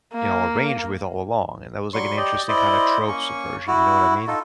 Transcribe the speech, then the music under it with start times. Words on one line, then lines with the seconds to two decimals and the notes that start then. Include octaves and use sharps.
you know, arranged with all along, and that was, like, an interesting, kinda, trope subversion, you know what I mean?
0.14 A#3
1.93 F#3 G3 C6 C#6
2.17 G4 D5 D#5
2.48 E4 C5 D5 D#5
3.08 A#3 C#4 C#6
3.68 E4 F#4
4.28 D#4 F4 A4